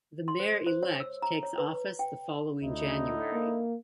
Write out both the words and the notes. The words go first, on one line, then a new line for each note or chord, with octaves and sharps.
The mayor-elect takes office the following January.
C6
C5
C5
C#5
E6
A#5
C#5
B4
G5
D2 D3 D#4 E4
A#3